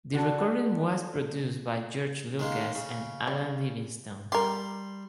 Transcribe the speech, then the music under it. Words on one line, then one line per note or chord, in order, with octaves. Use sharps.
The recording was produced by George Lucas and Alan Livingston.
D3 D4 F#4 A4
D#3 G#3 A#3
C#3
G3
G3 G4 A#4 C6